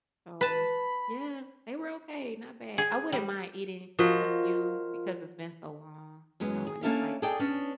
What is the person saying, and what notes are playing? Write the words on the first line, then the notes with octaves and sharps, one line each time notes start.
So, yeah, they were okay, not bad. I wouldn't mind eating a few because it's been so long, you know, and it's like
B4 A5 B5
G#4
G3
F3 F4 F#4 A#4 D#5
F#2 F#3 G#3 B3
G#4
A#3 C#4 D4 A4 E5 F5
G#4 A4 D5 D#5 G5
B3 C#4 D4